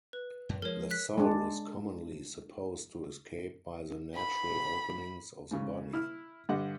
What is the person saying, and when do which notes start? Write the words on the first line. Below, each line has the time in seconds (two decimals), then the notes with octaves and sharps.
The soul is commonly supposed to escape by the natural openings of the body.
0.13 B4
0.49 F#2
0.62 F3 G#3 A#4 C#5
0.91 F#6 B6
1.18 G#3 D4
4.16 B5
5.51 G#2 C#3
5.93 E4 F6
6.49 G2 D3 G4 D#5 F#5